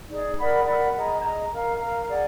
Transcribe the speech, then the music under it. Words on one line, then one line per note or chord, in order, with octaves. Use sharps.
But old now.
D#4 G#4 D5
A#4 D5 F#5 B5
A#4 D5 F#5 B5
G#4 D#5 A#5
G#4 D#5 A#5
A#4 F5 A#5
A#4 F5 A#5
G#4 D5 F#5